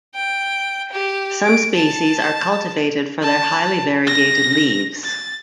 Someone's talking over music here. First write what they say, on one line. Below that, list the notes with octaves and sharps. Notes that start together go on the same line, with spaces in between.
Some species are cultivated for their highly variegated leaves.
G5
G4
D7
A5
A5
A#6
A6